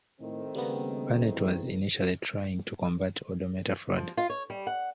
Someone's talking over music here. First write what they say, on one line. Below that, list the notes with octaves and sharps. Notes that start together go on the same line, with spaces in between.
Barnett was initially trying to combat odometer fraud.
A2 D#3 A3 C4
C#3 G3 A#3 B3
E2
F3
F4
C#5
G3
F#5